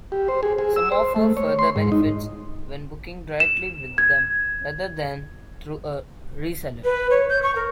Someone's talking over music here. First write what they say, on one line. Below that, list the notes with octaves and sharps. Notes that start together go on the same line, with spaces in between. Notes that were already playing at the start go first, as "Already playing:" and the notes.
Some offer further benefits when booking directly with them rather than through a reseller.
G4
C5
G#4
G#4
E6
C5
A3
C#5
C6
G#2
D#4
E7
G#6
B4
C#5
G6
C#6
A#4